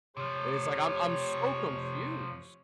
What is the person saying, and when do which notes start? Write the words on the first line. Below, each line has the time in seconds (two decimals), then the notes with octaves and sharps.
It's like I'm I'm so confused.
0.17 C3 F3 G4 C#5